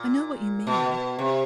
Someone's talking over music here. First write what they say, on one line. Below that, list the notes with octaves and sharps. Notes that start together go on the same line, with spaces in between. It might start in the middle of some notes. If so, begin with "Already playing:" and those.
I know what you mean.
Already playing: A#2
B2
C3